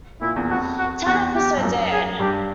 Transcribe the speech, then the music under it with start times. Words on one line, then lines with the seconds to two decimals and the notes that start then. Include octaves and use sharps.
Ten episodes aired.
0.21 A#2 E4
0.36 E2
0.49 F2 F#4
0.78 F#4
1.06 E2 F#4
1.34 G4
1.57 G2
1.63 F#2
1.92 G#4
2.19 G2 G4